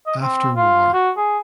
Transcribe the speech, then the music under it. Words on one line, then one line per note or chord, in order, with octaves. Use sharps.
After war.
D#5
C4
F4
F#4
G#4